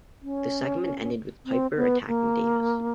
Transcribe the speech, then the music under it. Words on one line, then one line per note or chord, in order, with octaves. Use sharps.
The segment ended with Piper attacking Davis.
C#4
C4
B3
A#3